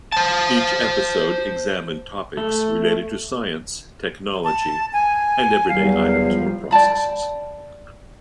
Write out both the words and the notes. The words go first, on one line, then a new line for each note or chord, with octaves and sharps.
Each episode examined topics related to science, technology, and everyday items or processes.
C5 A5
A3
A5
G#5
E2 F#3 G3 F5
F3 G3
D5 G5 A5 B5